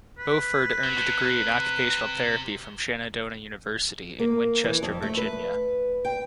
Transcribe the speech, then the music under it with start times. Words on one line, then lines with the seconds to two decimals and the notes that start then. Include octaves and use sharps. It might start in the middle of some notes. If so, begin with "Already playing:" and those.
Beauford earned a degree in Occupational Therapy from Shenandoah University, in Winchester, Virginia.
0.18 B4
0.84 F#3
0.98 C3
4.19 A#3
4.64 E3
4.83 F2
5.02 A3
5.17 B4
6.05 G5